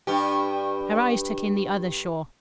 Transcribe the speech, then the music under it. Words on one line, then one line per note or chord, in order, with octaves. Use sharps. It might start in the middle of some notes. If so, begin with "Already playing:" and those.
Her eyes took in the other shore.
G2 G4